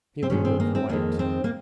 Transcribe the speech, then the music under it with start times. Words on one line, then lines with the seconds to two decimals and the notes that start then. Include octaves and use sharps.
Feeling of white.
0.23 C4
0.30 G2 D#3 G#3 C#4
0.45 C4
0.60 A#3
0.75 C4
0.89 F2 D#3 G#3 A#3
1.19 C4
1.44 A#3